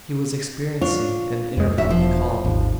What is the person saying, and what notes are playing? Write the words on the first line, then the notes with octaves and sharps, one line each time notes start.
He was experiencing an interval of calm.
D4 F4 C#5
F2 G#3
E1 F#4 E5
F3
G#1 D#2